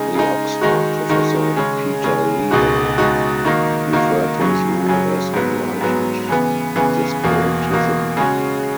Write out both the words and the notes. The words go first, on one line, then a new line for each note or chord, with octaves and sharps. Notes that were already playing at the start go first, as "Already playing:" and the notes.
The Oxford-professor Peter Levi referred to his rule as "enlightened despotism".
Already playing: C#3 G#3 D#4
C#3 G#3 D#4
D#3 G#3 D#4 F#4
D#3 G#3 D#4 F#4
C#3 G#3 C#4
C#3 G#3 C#4
C#2 B2 G#3 D#4 F#4
C#2 B2 G#3 D#4 F#4
D#3 A#3 D#4 F#4
D#3 A#3 D#4 F#4
F#2 C#3 F#3 C#4
F#2 C#3 F#3 C#4
G#2 F#3 B3
G#2 F#3 B3
C#3 E3 B3
C#3 E3 B3
E2 B2 A#3
E2 B2 A#3
C#3 G#3 C#4 F#4